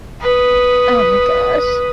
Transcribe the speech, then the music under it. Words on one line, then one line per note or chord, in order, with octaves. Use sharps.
Oh my gosh.
B4 D#6